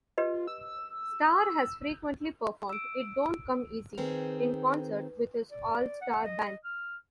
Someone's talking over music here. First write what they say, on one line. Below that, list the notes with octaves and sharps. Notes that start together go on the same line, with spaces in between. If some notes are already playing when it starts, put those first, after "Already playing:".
Starr has frequently performed "It Don't Come Easy" in concert with his All-Starr Band.
F4 G4 B4 D#5
E6
E6 D7
D#3 C4 G#4 B4
D5
F#5
D#5
F6